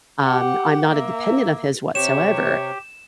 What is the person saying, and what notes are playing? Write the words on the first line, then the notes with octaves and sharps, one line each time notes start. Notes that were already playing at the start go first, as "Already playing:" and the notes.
um, I'm not a dependent of his whatsoever,
G4 F#5
A#3 E5
C3 G4 C#5 E7